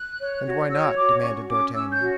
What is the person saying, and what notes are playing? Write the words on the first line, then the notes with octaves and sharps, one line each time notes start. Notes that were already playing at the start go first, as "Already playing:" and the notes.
"And why not?" demanded d'Artagnan.
Already playing: F#6
C#5
F#4
C#5 E6
F#4 D6
C#4 C#6
C#4 D6
C#4 E6
G6
F#4